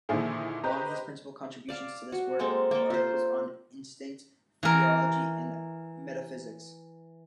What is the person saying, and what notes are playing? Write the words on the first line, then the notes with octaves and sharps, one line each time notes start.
Among his principal contributions to this work were articles on Instinct, Theology and Metaphysics.
A#2 D3 D#3 F3 E4 G#4
G4 B4 C5 D#5 A#5
D5 F5 A5
F#4
G#3 A#3 C4 A4
A#3 A4
F4 C5
E3 A#4